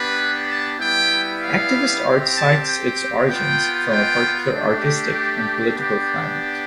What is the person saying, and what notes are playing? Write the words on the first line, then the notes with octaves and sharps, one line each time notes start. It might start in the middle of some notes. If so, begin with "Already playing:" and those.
Activist art cites its origins from a particular artistic and political climate.
Already playing: B3 D4 G4 B4
A5
G3 B3 E4 G5
F5
C4 G4
A5
G5
B3 F4 G5
G5
A3 D4 G4
B3 D4 G4